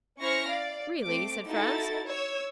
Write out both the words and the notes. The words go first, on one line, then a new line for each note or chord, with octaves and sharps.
"Really?" said Franz.
C#4 E4 C5 C#6 F6 A#6
D5 F5
A3 C4 D6
D#4 E4 F#4 A4 A6
C#5 E6